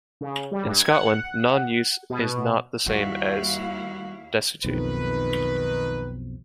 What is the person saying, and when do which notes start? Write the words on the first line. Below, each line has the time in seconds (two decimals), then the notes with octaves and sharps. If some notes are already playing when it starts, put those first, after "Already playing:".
In Scotland, non-use is not the same as desuetude.
0.21 C#3
0.51 G3
0.65 G2
0.79 G#6
0.90 F#5
2.10 B2
2.86 D#2 G3 E4 F#4 F5
4.65 B1 F2 D#3 B4